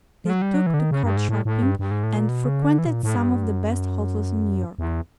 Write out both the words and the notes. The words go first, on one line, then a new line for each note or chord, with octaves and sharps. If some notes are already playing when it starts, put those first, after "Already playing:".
They took to card-sharping, and frequented some of the best hotels in New York.
F3
F#3
G3
F#3
E3
D3
D#3
C#3
G2
G#2
A2
A2
G2
G2
G#2
A2
A#2
B2
C#3
D3
E3
B2
A#2
A2
G2
F#2
G2
F#2
E2